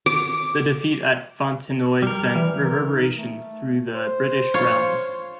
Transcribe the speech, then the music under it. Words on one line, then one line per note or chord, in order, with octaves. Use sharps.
The defeat at Fontenoy sent reverberations through the British realms.
D6
G3 A#4
E3
A#4
D#4
A3
C5
F4 C#5